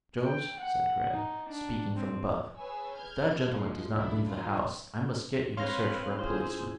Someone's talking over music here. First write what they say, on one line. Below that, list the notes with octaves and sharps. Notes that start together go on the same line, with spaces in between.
"Mr. Jones," said Grey, speaking from above, "if that gentleman does not leave the house, I must get you to search for a policeman."
G5
F#5
D#4
D4
C4
G#4 B4 C#5 G#5 E6
F6 G6 G#6
F3 G#3
C#2 F#2 B2 D4 E4 B5
F4
C4 B4 C#5 F5 C6 F6 A#6
C#4 E4 F4 G#4 C5